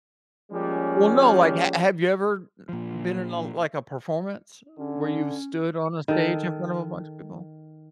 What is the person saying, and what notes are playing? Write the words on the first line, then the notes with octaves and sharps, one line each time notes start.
Well, no, like, ha have you ever, uh, been in a like, a performance, where you've stood on a stage in front of a bunch of people?
F3 G3 G#3 A#3 C#4
A#2 F3
D3 C#4
D#3 A4